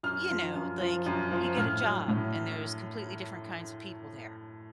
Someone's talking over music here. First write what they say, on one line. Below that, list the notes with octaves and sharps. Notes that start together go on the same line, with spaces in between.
you know, like, you get a job, and there's completely different kinds of people there.
F#2 F6
F3
F#2
F3
F#2
F3
A2 F6
F#3
A2